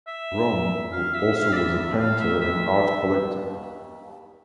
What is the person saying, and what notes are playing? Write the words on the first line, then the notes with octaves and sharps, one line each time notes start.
Rome also was a painter and art collector.
E5
F5
E5
F5
D5
E5
F5
E5
E5